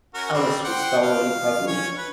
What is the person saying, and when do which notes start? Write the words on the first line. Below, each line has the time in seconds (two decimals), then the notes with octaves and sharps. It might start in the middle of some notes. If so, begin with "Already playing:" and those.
Alice was thoroughly puzzled.
0.14 C#4 F#4 A#4
0.33 G3 C4
0.64 C5 F#5 G5
1.02 F5
1.67 C#4 C#5
1.97 B4